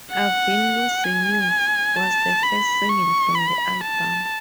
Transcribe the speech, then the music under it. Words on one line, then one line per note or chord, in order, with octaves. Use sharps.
"I've Been Losing You" was the first single from the album.
F#5
G#5
A5
B5
C#6
B5
A5